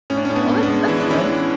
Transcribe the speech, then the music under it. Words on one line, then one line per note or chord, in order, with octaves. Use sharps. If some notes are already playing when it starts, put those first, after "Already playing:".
Well, that that's good.
A2 C#4
D4
A2 C#4
B3 D4
A2
B3 D4
G#3
E3 E4
D4
E3 C#4 E4
E3